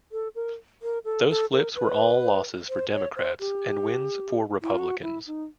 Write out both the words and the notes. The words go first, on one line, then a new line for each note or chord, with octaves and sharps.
Those flips were all losses for Democrats and wins for Republicans.
A4
A#4
A#4
A4
A4
A#4
B4
C5
C#5
C5
G4
E4
F4
F#4
E4
D#4